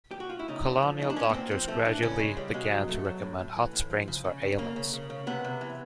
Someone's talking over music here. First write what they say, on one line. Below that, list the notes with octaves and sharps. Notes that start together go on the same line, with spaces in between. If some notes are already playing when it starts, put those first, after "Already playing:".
Colonial doctors gradually began to recommend hot springs for ailments.
G4
F#4
F4
E4
C#3 D#4
C#3
F3
C#3 D#4
D4
A#2 C#4
B3
A#2 C4
F3 C4
F3 A3
E3 D4
C#3 C#4
C#3 G#3
C#3 G3
B2 G#3
F#3
B2 A3
F#3
A2
A2
E3
A2
F3
C#3
C#3
C#3
C#3 A#3
C#3
C#3
C#3
C3 B3
C3
E3